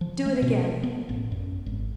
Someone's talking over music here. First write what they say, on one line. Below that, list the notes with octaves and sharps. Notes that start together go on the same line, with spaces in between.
Do it again!
F3
A3
B2
B3
A1
F#2
G#1